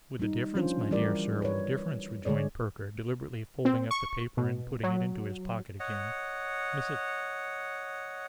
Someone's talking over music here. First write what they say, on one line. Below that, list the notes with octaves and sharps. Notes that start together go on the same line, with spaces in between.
'With a difference, my dear Sir; with a difference,' rejoined Perker, deliberately folding up the paper and putting it into his pocket again. 'Mrs.
G3 D#4
F3 C#4 D4 F4 C5
E3 G3 E4 G4 A#4 D5
B4 C#5
D3 G#3 G#4 C#5 D5
C4
C#6
B2
F#3
C#5 D#5 F#5